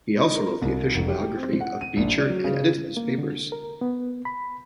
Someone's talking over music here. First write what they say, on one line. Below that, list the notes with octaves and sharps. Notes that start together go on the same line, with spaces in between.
He also wrote the official biography of Beecher and edited his papers.
D#4
A#4
C2
F1
G4
C4
F#5
D#7
A#1
D5
F#3
C#3
A#3
D3
A#4
B3
B5